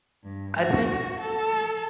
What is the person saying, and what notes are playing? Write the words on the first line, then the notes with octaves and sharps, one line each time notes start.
I think
G2
F#4
A4